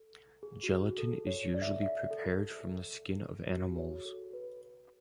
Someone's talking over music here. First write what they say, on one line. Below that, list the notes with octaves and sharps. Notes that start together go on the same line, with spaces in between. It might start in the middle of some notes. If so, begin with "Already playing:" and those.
Gelatin is usually prepared from the skin of animals.
Already playing: A4
G#4
F#4
G#4
A4
C#5
D5
E5
D5
E5
A4
G#4
F#4
C#5
G#4
A4
B4
B4